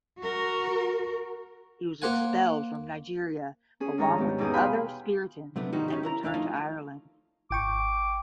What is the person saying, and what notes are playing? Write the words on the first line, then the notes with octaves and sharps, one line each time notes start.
He was expelled from Nigeria along with the other Spiritans and returned to Ireland.
F#4 A#4
A#3 C5 F#5 G#5
C#4 G#4
D2 G#2 D#3 G3 C#5 A#5
G#2 B3 G4
E2 B2 D#4 G4 G#4 D#6
F5 G5 G#5 B5 C6 F#6
C3 F#3 A3 B3 D4
G#2 D#3 G3 G#3 D#4 F#4
C#4 D#4 G4
E4 A#4 A#5
D#2 A3 D4 E4 F5
F3 A3 D#4 F4
G#1 G5 C#6 D6